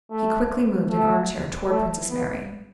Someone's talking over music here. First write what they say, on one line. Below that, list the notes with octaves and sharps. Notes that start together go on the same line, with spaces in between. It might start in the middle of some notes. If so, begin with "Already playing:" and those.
He quickly moved an armchair toward Princess Mary.
A3
A3
A3
B3